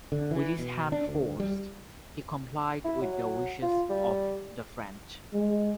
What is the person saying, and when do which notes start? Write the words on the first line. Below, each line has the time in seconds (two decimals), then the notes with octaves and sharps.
With his hand forced, he complied with the wishes of the French.
0.12 D3
0.31 E3
0.59 B2
0.92 D4
1.08 D2
1.40 G3
2.84 E4
3.01 F#3
3.63 F4
3.90 G3
5.34 G#3